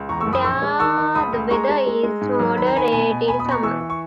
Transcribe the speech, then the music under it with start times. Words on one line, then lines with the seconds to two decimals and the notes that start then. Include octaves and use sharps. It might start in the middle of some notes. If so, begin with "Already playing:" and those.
There the weather is moderate in summer.
Already playing: C#2
0.09 E2 A#5 C#6
0.20 C#6 E6
0.27 F#1
0.33 B5 D#6
0.44 A#1 C#6 E6
0.62 G#3
0.79 D#3 C#6 E6
0.97 D#3
1.15 C#2 B5 D#6
1.33 C#2
1.50 G#3 A#5 C#6
1.69 G#3
1.87 G#3
2.03 G#3
2.21 G#2
2.39 F#3
2.57 D#3 B5
2.66 A#5
2.75 D#3 G#5 B5
2.92 B2 G#5 B5
3.10 B2
3.28 B2 G#5 B5
3.39 B5 D#6
3.45 B2
3.51 A#5 C#6
3.63 E3 C#6 E6
3.81 E3
3.90 C#6